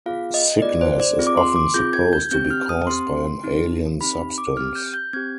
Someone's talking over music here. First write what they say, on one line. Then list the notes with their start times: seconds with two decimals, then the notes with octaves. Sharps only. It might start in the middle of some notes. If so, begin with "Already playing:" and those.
Sickness is often supposed to be caused by an alien substance.
0.06 B3 F4 G#4 F5
0.34 D#5
0.62 B3 F4 G#4 D5
0.81 C5
1.00 D5
1.19 C4 F4 G#4
1.27 D6
1.37 C6
1.56 D6
1.74 C4 F4 G#4 G6
1.93 G#6
2.13 G6
2.31 C4 G4 G6
2.50 F6
2.69 D#6
2.87 C4 G4 C6
3.43 C4 D#4 G4
4.00 C4 D#4 G4 B5
4.38 D6
4.56 C4 G4 F6
4.75 G6
4.94 G6
5.13 C4 G4 G#6